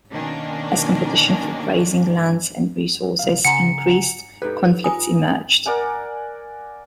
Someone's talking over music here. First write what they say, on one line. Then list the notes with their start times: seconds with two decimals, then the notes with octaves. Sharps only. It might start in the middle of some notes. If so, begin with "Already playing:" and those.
As competition for grazing lands and resources increased, conflicts emerged.
0.11 B2 D#3 A#3 C#4 D4
3.19 C2 F5
3.45 C#3 F#5 G#5 A#5 C6 C#7
4.42 D#4 G4 A4 B4
4.84 F4 G#5 D#6
5.66 A#4 D5 F#5 G#5